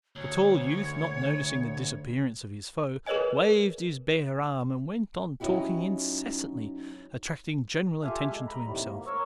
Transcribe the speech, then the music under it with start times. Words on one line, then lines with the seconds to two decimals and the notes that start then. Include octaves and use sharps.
The tall youth, not noticing the disappearance of his foe, waved his bare arm and went on talking incessantly, attracting general attention to himself.
0.16 D2 C#5
3.06 G#4 A#4 B4 C#5 D#5 G#5
5.40 F#3 C#4 D#4 E4 F#4 G4
8.03 F4 G4 A4 E5 F5 G#5
8.30 G#3
8.47 A#5 B5
8.63 D#2 A2 C3 D#3 G3
8.81 G#2 A#3
9.07 A#4 C#5 C#6 E6